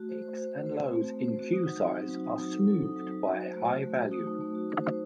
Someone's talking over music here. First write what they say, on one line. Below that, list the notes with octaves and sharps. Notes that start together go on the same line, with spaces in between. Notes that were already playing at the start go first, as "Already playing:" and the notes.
Peaks and lows in queue size are smoothed by a high value.
Already playing: A3 F#4
C5
C5
C5
C5
C5
C4
A3
A3
C5
F#4
D#4
F#3
C4
D#4
F#3
D#4
F#3
A4
A4
D#4
F#3
F#3
F#4
C5
A3
F#4
A3
F#4
D#4
A3
A3
F#4
C5
C5